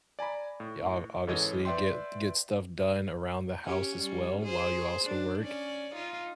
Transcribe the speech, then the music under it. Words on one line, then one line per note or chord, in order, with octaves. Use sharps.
you obv obviously get get stuff done around the house as well while you also work.
D5 G#5 A#5 B5
A2
G#2 C#3 E3 A4 C#5 D#5
B4 D5 E5 G5 C6
C#4 G4
G3 C#4
G#4 C5
D4
C#4 D5
D#4 F4